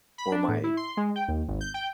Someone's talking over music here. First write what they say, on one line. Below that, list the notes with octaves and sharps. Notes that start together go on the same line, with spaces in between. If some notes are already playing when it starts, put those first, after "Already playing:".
or my
B5
D4
A2
E4
C6
G#3
G5
D#2
G#1
G6
G5